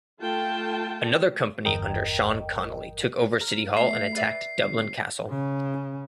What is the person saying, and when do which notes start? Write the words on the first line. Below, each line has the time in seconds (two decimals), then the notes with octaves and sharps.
Another company under Sean Connolly took over City Hall and attacked Dublin Castle.
0.21 A3 F4 G5 A5
1.65 G1 E2 G2 A#4 D#5 G5
3.41 A#4
3.77 A3 E5 C7
4.16 B4 D5 E5
4.56 G1
5.29 C#3